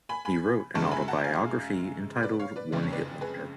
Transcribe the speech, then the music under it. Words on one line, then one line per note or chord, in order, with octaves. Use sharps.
He wrote an autobiography, entitled "One Hit Wonder".
G#5 B5
G#5 B5
F#2 C#3 G#3 A5 C#6
G#5 B5
F#5 A5
F5 G#5
B4 D5
C#5 F5
B4 D5
F#1 F2 C#3 G#3 D5
C#5
B4 D5
G#4 B4